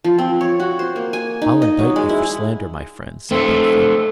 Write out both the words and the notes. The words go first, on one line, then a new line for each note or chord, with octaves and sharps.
"I'll indict you for slander, my friend," said Bellfield.
F3
C4
C#5
F#4
C5
A#3
G#5
D#4
D#5
F#3
G#3
E4
A3 C4